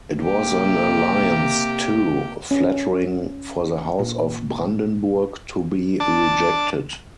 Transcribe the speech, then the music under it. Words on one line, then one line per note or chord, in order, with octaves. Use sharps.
It was an alliance too flattering for the House of Brandenburg to be rejected.
C3 A#3 G4
C#4
A#2
D4 A5 D6